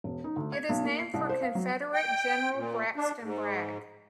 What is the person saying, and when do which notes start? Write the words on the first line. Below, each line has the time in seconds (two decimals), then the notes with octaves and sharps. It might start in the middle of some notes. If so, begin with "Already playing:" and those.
It is named for Confederate General Braxton Bragg.
0.04 E1
0.24 D#4
0.36 D2
0.52 G#6
0.69 B1
0.84 A#3
0.99 C7
1.14 C2
1.29 C5
1.42 F5
1.55 F#3
1.94 G5
2.56 A#2
2.96 D4
3.21 G#2